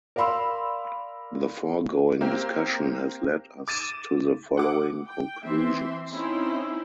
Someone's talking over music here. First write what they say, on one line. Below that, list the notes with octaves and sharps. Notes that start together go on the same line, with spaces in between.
The foregoing discussion has led us to the following conclusions.
A#4 D5 F5 B5 C6 E6
A#3 C4 G4
D6 A6 D#7 E7
F#5 D6
G5
E3 C4 E5 C6
C4 C#4 D#4 E4 C5